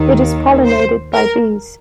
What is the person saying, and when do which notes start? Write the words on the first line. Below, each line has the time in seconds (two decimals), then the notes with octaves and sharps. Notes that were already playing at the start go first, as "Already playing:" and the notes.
It is pollinated by bees.
Already playing: D#2 D#3
0.65 C5
1.13 A#4